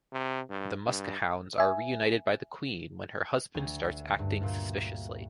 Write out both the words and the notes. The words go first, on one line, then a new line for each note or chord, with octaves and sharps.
The Muskehounds are reunited by the Queen when her husband starts acting suspiciously.
C3
G2
G2
E5 G#5
D2
G2
A#2